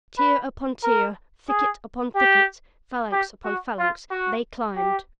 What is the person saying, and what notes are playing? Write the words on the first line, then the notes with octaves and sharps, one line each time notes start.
Tier upon tier, thicket upon thicket, phalanx upon phalanx they climbed.
B4
A#4
G#4
G4
G4
F#4
F4
F#4
G4